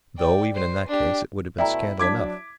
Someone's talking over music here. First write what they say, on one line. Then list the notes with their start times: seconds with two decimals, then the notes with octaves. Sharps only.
Though, even in that case, it would have been scandal enough.
0.17 D5 G5
0.55 C5
0.88 D4 G4
1.58 B2 A3 E4 D5 G5 A#5
1.99 F#3 D4 D6 G#6 B6